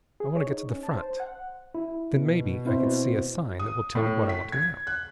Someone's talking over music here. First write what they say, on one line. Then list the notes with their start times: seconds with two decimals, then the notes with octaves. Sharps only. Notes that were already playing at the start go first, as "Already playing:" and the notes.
"I want to get to the front. Then, maybe, I can see a sign that will tell me what I want to know."
0.20 G#4
0.36 C#5
0.47 D#4
0.69 C#4
0.83 A5
0.96 C5
1.20 F#5
1.75 E4
2.16 B2
2.65 C4 E4 C5
3.59 D#6
3.95 A2
4.29 B6
4.52 G#6
4.87 F#6